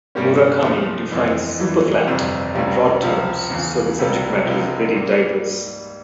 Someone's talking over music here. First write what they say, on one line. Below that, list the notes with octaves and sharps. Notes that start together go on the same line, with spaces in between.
Murakami defines "Superflat" in broad terms, so the subject matter is very diverse.
G2 G3 A#3 C#4 G4
C2 A#2 F3
F2 E3 G#3 C4
E2 E3 G3
G1 F2 C3 G3 C4
C#2 C3 G3 C#4
C#2 C3 F3 C4
E1 E2 C#3
C#2 C3 G3
C#2 C3 F3 G#3
G#2 G3 A#3